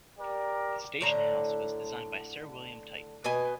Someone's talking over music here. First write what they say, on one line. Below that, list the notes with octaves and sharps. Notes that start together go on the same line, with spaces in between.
The station-house was designed by Sir William Tite.
G4 A#4 D5
A2 D3 A#5
B2 B4 D#5 G#5